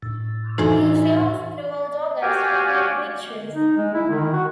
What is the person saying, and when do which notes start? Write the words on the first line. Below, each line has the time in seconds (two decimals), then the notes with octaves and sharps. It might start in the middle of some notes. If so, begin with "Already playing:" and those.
He films throughout August for Perry Pictures.
0.02 A2
0.58 E3 D4 D#4 F#4 A4 C5
2.22 F#4 G4 D5 F5 G5 G#5
3.55 D#4
3.77 G#3
3.95 E4
4.10 D#3
4.34 F#4